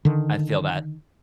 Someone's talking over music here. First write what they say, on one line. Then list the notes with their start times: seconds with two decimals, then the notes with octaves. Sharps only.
I feel that.
0.05 D3 D#3